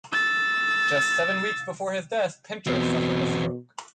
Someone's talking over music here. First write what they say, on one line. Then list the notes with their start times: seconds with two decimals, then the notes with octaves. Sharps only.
Just seven weeks before his death, Pincher suffered a stroke.
0.12 E6 A6
2.67 E2 B2 C4